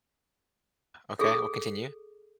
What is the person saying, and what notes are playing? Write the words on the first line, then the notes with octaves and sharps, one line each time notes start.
Okay, well, continue.
G#4 A4